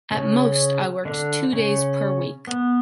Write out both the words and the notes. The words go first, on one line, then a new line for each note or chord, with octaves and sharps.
At most, I worked two days per week.
C#3 C#4
D3 D4
C#3 C#4
B3